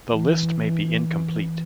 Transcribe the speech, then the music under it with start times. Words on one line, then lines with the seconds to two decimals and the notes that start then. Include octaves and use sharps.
The list may be incomplete.
0.11 E3